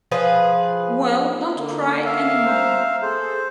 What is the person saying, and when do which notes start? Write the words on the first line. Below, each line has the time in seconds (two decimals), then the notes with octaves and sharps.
Well, don’t cry any more.
0.11 F3 G#4 B4
1.55 D3 A#3
2.05 E5 F5
2.45 C5 A#5
3.02 G#4 A4 C5